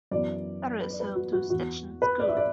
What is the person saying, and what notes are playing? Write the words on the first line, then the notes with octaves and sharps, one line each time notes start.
Barre is home to Stetson School.
F#2 E3 B3 D5
B4
D5
B4
F#4
F#4
E2 E3 B3 F#4
B4
D5
E5
D5